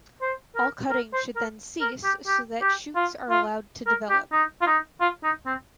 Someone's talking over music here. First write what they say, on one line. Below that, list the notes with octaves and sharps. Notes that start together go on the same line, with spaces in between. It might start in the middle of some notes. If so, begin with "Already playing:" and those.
All cutting should then cease so that shoots are allowed to develop.
C5
A#4
A#4
C5
A#4
A#4
G4
G4
G4
F4
F4
A#4
G4
D#4
F4
D#4
F4
D#4
C4